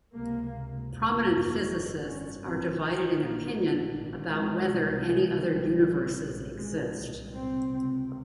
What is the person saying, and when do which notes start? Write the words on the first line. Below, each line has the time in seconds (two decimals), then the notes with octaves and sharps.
Prominent physicists are divided in opinion about whether any other universes exist.
0.14 C#2 C3 A#3
0.90 G1 F2 C3
1.28 A#3
1.65 G1 G2
2.04 C#4
2.41 A#1 G#2 C4
3.16 A#1 A#2 A#3
3.92 G#1 G#2
4.30 G#3
4.67 C2 C3
5.06 G#3
5.44 A#1 G#2 G3
6.19 A#1 G#2
6.57 G#3
6.94 C2 A#2
7.32 C4
7.71 C#2 C3